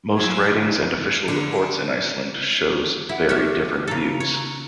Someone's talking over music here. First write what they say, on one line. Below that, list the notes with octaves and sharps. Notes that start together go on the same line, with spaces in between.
Most writings and official reports in Iceland shows very different views.
F3 F#3 F4 G#5 E6 G#6
A2 D3 E3 D#4 F4
D3
E4 F#5
G4 C#5 E5
B4
C#3 A4 A#5
C#5